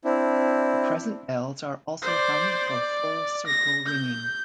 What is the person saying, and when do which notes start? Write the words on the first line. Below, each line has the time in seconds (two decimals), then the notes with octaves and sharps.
The present bells are also hung for full circle ringing.
0.04 C4 D4 E4
2.02 C5 D5
2.69 D5
3.47 A#6
3.86 G6